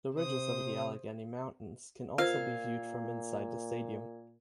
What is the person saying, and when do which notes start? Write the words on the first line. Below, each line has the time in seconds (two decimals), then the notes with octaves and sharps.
The ridges of the Allegheny Mountains can also be viewed from inside the stadium.
0.15 C3 C5 D#6
2.18 A#2 F4 A#4 C5 F5 G#6